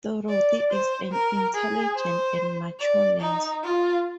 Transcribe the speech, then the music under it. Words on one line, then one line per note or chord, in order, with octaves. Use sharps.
Dorothy is an intelligent and mature nurse.
D5
C5
A#4
G#4
C5
D5
D#4
F4